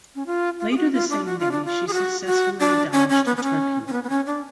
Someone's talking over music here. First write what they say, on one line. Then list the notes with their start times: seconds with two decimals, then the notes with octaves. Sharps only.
Later the same day, she successfully dodged a torpedo.
0.15 C#4
0.26 F4
0.60 F4
0.71 G#4
0.76 F#4
0.93 F4
1.10 D4
1.26 F#4
1.39 F4
1.52 D4
1.65 F4
1.87 G#4
1.93 F#4
2.26 F#4
2.60 D4
2.93 C#4
3.09 C#4
3.26 B3
3.37 B3
3.43 C#4
3.87 C#4
3.93 B3
4.04 B3
4.09 C#4
4.26 D4